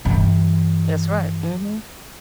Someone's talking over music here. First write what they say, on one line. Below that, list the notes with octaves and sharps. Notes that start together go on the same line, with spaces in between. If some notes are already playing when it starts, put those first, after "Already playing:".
That's right. Mhm.
G2 E3